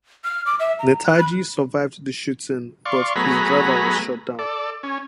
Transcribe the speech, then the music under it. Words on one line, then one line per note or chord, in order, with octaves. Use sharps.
Netaji survived the shooting but his driver was shot down.
F6
D6
E5
A#5
F#6
B5
D5 F5 C6 C#6
F#3 A3 B3 G#4 A#5 B5
A4 D5
C#4